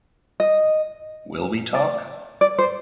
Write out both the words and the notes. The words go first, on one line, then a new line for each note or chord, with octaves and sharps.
Will We Talk?
D#5
D5
D5
C5